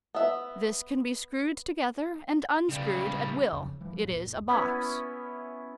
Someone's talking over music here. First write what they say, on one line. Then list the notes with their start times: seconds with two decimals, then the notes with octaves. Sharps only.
This can be screwed together and unscrewed at will; it is a box.
0.15 B3 E5
2.69 C#3 G3
3.52 F2 C#3
3.81 E3 F3 G3
4.03 D1 A#1 F#2 A#2
4.49 B3 C#4 E4